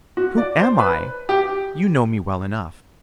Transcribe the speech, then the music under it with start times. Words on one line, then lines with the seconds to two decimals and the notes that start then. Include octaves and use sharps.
"Who am I? You know me well enough."
0.17 F#4
0.38 D5
0.59 C5
0.80 B4
1.29 G4